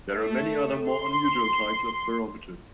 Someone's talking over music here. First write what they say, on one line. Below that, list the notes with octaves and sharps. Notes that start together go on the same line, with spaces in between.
There are many other more unusual types of barometer.
A3
C6